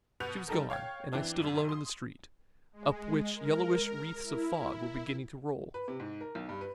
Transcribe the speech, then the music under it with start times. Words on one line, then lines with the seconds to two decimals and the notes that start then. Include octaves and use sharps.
She was gone, and I stood alone in the street, up which yellowish wreaths of fog were beginning to roll.
0.20 B2 B4 F#5 F#6 G6 F7
0.48 G3 D#4 A4 A#4
0.70 C#5 F5 G5 C#6 G#6
1.13 E3 C4 D4
1.40 C2 F#2
1.69 C6 D#6
2.73 G#3
3.33 A#4
4.23 E4
5.74 B4
5.88 C3
6.00 G#2
6.21 A#4
6.35 B1
6.49 G2
6.61 B4